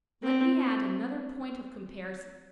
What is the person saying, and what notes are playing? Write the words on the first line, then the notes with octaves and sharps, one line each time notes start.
Let me add another point of comparison.
C4